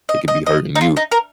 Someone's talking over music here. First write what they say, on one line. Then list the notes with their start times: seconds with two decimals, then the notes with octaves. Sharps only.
it could be hurting you.
0.09 D#5
0.28 D#5
0.46 D#5
0.75 D#4
0.81 F4
0.97 D#4
1.12 A#4